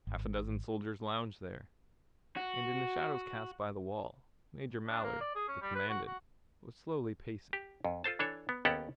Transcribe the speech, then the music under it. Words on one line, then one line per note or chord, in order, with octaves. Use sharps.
Half-a-dozen soldiers lounged there, and in the shadow cast by the wall, Major Mallard, the Commandant, was slowly pacing.
G#1
F#4
D4
A#3
D5
G#4
C#4
G3
B4
F#4
F#4
G4
F2
F4 A4 C5 A5
E3 D4 A4 C#5
B3
D#2 B3 C#4 G4 A4 F#5